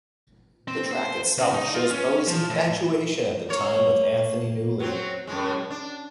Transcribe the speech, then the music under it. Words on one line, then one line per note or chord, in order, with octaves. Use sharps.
The track itself shows Bowie's infatuation at the time with Anthony Newley.
C4
C5
C#3
D#4
F4
C#4
F3
A2
A#3 C#5
F#3 C4
F#2 A2 G#3
D4